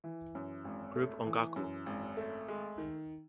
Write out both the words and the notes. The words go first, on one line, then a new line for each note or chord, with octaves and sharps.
Group Ongaku.
E3
F#2
G#1
A3
E3
F#2
G#1
A3
G#3
D#3